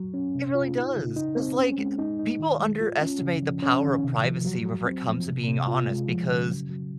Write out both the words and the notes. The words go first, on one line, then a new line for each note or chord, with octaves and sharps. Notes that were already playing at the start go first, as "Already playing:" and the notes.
It really does, 'cause, like, people underestimate the power of privacy whenever it comes to being honest because
Already playing: F#3
C#4
C3
F4
D#4
C#3
D#4
C4
C#4
G#3
D#4
D#4
D#3
G#3
F4
C#4
C#3
F3
C#4
D#3
C3
F3
F#3
F#3
C4
F3
C3
C3
F4
G#3
F3
C#3
F#3
F#3